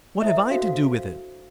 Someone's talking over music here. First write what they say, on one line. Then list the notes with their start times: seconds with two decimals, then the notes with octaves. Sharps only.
"What have I to do with it?"
0.22 E4 A4 C5 E5
0.51 D4 F#4 A4 C5 F5